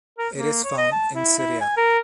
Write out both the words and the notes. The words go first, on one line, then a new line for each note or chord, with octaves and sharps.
It is found in Syria.
A#4
A#3
C#5
D#5
A5
E4
E4
G#5
A#4